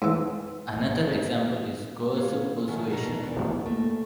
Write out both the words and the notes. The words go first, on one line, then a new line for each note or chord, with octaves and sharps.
Another example is coercive persuasion.
G#2 E3
A2 B3 C#5 F5
D#3 F3 C#4 E5 F#5
B2 D4 D#4 A#4
F2 E3 B3 C#4 D4
A3 A#3